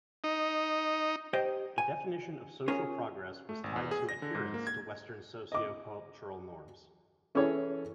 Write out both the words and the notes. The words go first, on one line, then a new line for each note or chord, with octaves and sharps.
The definition of social progress was tied to adherence to Western socio-cultural norms.
D#4
G4 C5 D#5 G5
G#5
C#4 F4 G#4 A#4 C#5
A3
G#1
E2
G#4
A#6
D3
G#2
A#3
G#6
D#5 D6
E3 C#4 G#4 A4 C#5